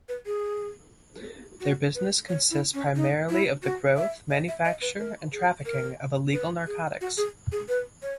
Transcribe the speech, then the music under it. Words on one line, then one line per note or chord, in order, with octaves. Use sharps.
Their business consists primarily of the growth, manufacture, and trafficking of illegal narcotics.
B4
G#4
F#4
B4
C#5
E4
C#4
D#4
E4
F#4
E5
D#5
E5
D#5
B4
A#4
G#4
A#4
B4
G#4
F#4
G#4
G#4
B4
C#5